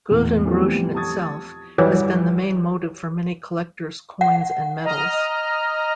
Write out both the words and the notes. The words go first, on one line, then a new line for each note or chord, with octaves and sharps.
Guldengroschen itself, has been the main motive for many collectors coins and medals.
E2 A2
E3 F3 G3 A3 B3 C4
A5 C#6 D#6 G#6 A6
F#2 E3 F#3 G3
F#5
D#5 A#5 F6